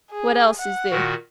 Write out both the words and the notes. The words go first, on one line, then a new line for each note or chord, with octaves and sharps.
"What else is there?"
G#4
F#5
A#2 D#3 F#4